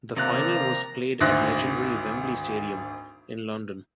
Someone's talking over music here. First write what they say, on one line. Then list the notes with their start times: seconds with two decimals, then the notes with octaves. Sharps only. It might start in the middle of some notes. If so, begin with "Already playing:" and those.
The final was played at legendary Wembley Stadium in London.
0.16 C3 D#3 F3 A#3 D5 A#5 F#6
1.20 G#1 D2 C5 E5 F#6 A#6